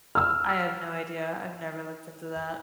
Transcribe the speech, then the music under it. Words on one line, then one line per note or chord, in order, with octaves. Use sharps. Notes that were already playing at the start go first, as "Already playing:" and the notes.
I have no idea; I've never looked into that.
E6 F6